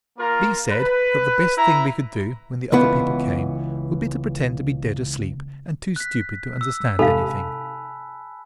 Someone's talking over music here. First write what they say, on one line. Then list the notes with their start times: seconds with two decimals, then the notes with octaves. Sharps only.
B. said that the best thing we could do, when the other people came, would be to pretend to be dead asleep, and too stupid to understand anything.
0.18 A#3 F4 A#4 A#5
0.70 B4
1.57 E4 A#5
2.72 C#2 E3 B3
5.96 F#6 B6
6.61 E6
6.99 G#2 C3 A4 F5 G#5 A5 B5